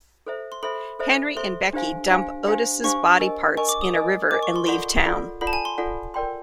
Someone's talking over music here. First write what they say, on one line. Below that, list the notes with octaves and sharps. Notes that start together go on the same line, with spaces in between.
Henry and Becky dump Otis' body parts in a river and leave town.
A4 C5 E5
C6
A4 C5 E5 B5
A4 C5 E5
A4 C5 E5 C6
D4 G4 C5 F5 G#5
D4 G4 C5 F5 G#5
D4 G4 C5 F5 G#5
D4 G4 C5 F5 G#5 C#6
A#4 D#5 G#5
A#4 D#5 G#5 C#6
D6
D#6
A#4 D#5 G#5
A#4 D#5 G#5 D6
C#6
C6
F4 A4 D5 F#5 C6
F4 A4 D5 F#5
F4 A4 D5 F#5 B5
A5
G#5
C6
F4 A4 D5 F#5
A#4 D5 G5 C6